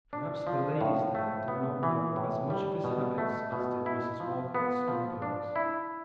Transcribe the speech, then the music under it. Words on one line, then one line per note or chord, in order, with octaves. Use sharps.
Perhaps the ladies there did not know as much of his habits as did Mrs. Walker at Scumberg's.
D4
F3
A2
A3
B3
E3
A2
G3
B2
A3
B2
E4
F3
B3
F3
D4
E4